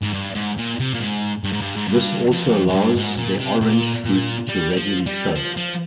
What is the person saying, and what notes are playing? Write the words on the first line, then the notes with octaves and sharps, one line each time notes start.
This also allows their orange fruit to readily show.
G#2
G2
G#2
A#2
C3
A#2
G#2
G2
G#2
G2
G#2
G2
F2
F2
G2
G#2
A#2
C3
A#2
A#2
G3
F3
G3
F3
F3